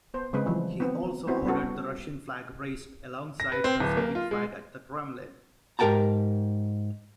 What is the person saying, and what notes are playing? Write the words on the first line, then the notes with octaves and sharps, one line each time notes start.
He also ordered the Russian flag raised alongside the Soviet flag at the Kremlin.
B3 C5
C#3 G#3 C4 B4
E3 F3 G3
B3 C4
A3 B3 C4 E4 F#4 C5
G3 B3 C#4 F#4 A4
A#6
B4
C4
D1
A#3
F4
G#3
G#2 G4 A#4 G5 A5 A#5